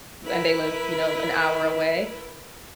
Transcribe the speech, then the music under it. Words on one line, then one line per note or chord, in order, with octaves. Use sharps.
and they lived, you know, an hour away,
E4 A#4 B4